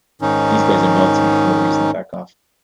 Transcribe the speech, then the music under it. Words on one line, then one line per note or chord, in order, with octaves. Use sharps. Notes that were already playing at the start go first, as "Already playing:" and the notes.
These guys are nuts and there's no reason to back off.
G#2 D#3 C#4 D#4